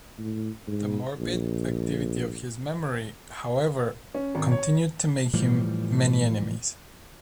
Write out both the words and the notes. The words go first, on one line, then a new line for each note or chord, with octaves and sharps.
The morbid activity of his memory, however, continued to make him many enemies.
A2
G#2
A#1
C#4
G#1
C#5
A2 E3 F3 G3